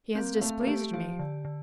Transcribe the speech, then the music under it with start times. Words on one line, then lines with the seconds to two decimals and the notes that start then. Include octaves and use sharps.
"He has displeased me."
0.15 A#3 C4
0.35 A#3
0.41 A3 F5
0.60 A#3
0.67 A3 G4
0.93 F3 G4
1.19 D3
1.45 D3